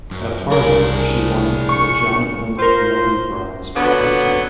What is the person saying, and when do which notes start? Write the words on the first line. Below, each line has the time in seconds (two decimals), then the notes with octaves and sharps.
At Harvard, she won the Jonathan Levy Prize for acting.
0.11 F#2
0.52 C2 D4 G#4 A#4
1.69 C#6
2.59 F4 A#4 C5 C6
3.75 D3 F#3 B3